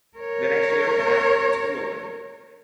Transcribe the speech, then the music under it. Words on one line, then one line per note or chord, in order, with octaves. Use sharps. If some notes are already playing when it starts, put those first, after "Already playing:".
The next year, an afternoon school opened.
A#4 C#5